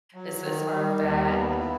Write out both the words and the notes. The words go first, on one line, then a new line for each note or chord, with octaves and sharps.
as as far as that.
F#3
D#3
G3
D#2
B3
E4